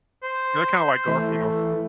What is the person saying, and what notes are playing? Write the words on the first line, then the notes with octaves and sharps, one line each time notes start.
They're kinda like Garfield.
C5
E3 A3